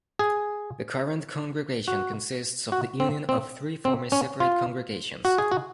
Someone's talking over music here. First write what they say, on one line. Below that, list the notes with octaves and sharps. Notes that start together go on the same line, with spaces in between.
The current congregation consists of the union of three former separate congregations.
G#4
F#4
F#4
C4
C4
C4
C#4
F4
F#4
G#4
F#4